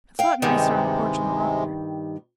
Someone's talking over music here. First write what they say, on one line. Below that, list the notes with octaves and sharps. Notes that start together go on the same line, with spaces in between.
It's a lot nicer on the porch in the rocker.
F5 G5
G2 C3 D#3 G3 G#3